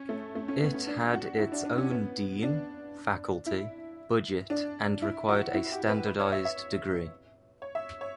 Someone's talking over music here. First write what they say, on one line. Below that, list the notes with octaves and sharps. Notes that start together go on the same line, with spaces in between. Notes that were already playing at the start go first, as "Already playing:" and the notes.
It had its own Dean, faculty, budget and required a standardized degree.
Already playing: C#4
A3
A3
C#4
B3
C#4
D4
F#4
E4
D4
D4
C#4
B3
D4
E4
D4
E4
F#4
E4
G4
B4
C#5
E5
E5
C#5
E5
C#5